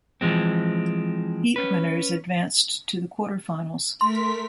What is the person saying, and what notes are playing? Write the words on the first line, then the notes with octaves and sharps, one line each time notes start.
Heat winners advanced to the quarterfinals.
E3 F3 G#3 C4
C#4 B4
A3 A#4 C6 B6